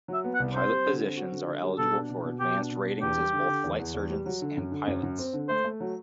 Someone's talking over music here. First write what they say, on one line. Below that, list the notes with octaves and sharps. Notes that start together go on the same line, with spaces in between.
Pilot-physicians are eligible for advanced ratings as both flight surgeons and pilots.
F#3
E5
B3
F#5
C2
C4 C5
G3
D3
C4
F#4
D3
D3
G3
B2 A4
D4
B2
B2
B2 G4
D4
B2
D4
E2 G4
G3
D3
D3
E2
E2
E2
G3
F#3
D3
F#2
D3
F#2
F#2
C4
D3
A3 C5
A3
F#3